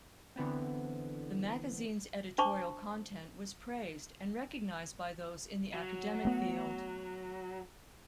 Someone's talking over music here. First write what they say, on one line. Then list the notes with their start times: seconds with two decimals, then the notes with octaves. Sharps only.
The magazine's editorial content was praised and recognized by those in the academic field.
0.36 D3 E3 B3 C4
2.38 D4 C5 A5 C#6 D6
5.74 F#3
6.25 A3 B3